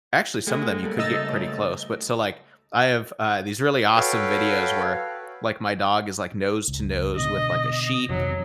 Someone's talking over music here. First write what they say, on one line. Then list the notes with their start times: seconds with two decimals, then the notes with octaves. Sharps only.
actually, some of them, you could get pretty close. But so, like, I have, uh, these really awesome videos where, like, my dog is, like, nose to nose with, like, a sheep,
0.47 G#3 A3 G#4 F#5 G5 F#6
0.83 C#3 G3 A#3 A4
0.98 C#3 A3 D#4 D#5 E6 A6
1.30 B2 C#5
3.96 F#4 A4 B4 C#5 F5 G5
6.68 C#2
7.16 B2 D3 D#5
8.09 F2 C3 D#3 F#3